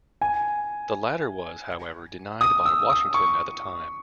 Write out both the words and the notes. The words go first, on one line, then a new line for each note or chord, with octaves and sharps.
The latter was, however, denied by Washington at the time.
G#5
D#6
E6
D#6
C#6